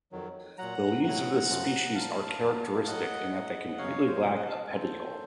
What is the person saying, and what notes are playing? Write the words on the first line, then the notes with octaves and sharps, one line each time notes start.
The leaves of this species are characteristic in that they completely lack a petiole.
F2 D#3 F#3
A#2 F#3 F#5 A#5
A2 F#3 F#5 A#5
F#2 C#3 F3
A#2 F3 F5 A5
F2 D#3 F#3
A2 F#3 D#5 F#5
A2 F#3
F#2 C#3 F#3 C#5 F5
C5
C#5
A2 F#3 C5 D#5
D#5 F#5
F5 A5
F2 C#3 F3 A4 C5